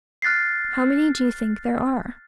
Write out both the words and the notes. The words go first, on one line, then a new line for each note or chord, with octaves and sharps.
How many do you think there are?
F6 F#6 A6 B6 C7